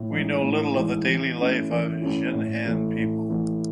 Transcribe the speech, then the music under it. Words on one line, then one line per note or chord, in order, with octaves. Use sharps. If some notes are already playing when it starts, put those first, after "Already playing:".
We know little of the daily life of Jinhan people.
Already playing: A2
E3 G#3 D#4
A2
E3 G#3 D#4
E3
A3 C#4 E4
E3
A3 C#4 E4
A2
E3 A3
A2
E3 A3